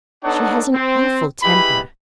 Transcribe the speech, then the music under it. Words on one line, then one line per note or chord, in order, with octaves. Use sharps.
'She has an awful temper.'
B3 D4 D#4 A4 C#5 F#5
C4
G#3 E4 G4 B4 B5